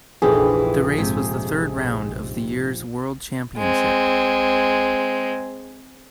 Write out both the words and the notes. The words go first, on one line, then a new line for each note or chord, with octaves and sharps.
The race was the third round of the year's World Championship.
F1 A#1 E3 G4 G#4
G#2 C3
G#3 C4